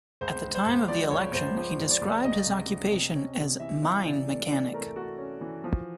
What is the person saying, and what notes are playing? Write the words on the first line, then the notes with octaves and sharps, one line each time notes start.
At the time of the election, he described his occupation as "mine mechanic".
C#2 C5
C#2
C5
C#2
F3 D5
C#2 C#5
C#2 C5
F3 C5
C#2
D5
C#2
C#2 D#5
C3
C3
C3
C#4
C3
E3 E5
E3 E5
C3 D5
A3 D5
E3 D5
A3 A#4
A3 F#4
C#4
E3
F3